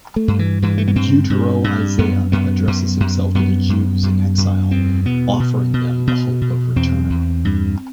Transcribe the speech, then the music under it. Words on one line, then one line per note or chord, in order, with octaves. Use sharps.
Deutero-Isaiah addresses himself to the Jews in exile, offering them the hope of return.
A3
G2
E3
G2 E3
A3
B3
G2 C4
G2
G2
F#2 B3
F#2 B3
F#2
F#2
F#2 B3
F#2
F#2
F#2
E2 C4
B2 B3
B2
B2
B2
B2
E2 C4
E2
G2